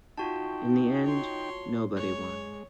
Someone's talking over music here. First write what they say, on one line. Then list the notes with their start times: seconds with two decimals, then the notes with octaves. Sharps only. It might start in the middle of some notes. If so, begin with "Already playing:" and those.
In the end, nobody won.
0.17 D#4 F4 F#4 G5 A5
1.04 C#5 C6
1.96 G#3 C#5